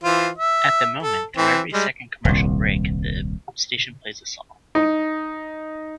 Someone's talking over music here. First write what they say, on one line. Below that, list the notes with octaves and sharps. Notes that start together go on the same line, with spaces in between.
At the moment through every second commercial break the station plays a song.
E3 F4 C5
E5
A4
E3 C4
G3 G#3
D#1 C2
D#4